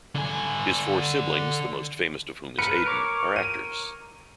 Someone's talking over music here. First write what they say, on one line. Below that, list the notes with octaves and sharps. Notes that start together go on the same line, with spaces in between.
His four siblings, the most famous of whom is Aidan, are actors.
D3 G#5
A#4 B4 C#7
A#4 C#5 D6
D#7